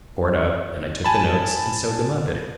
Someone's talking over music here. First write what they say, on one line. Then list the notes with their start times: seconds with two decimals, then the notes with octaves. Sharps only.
I tore it up, and I took the notes and sewed them up in it.
1.04 G#5 A5 B5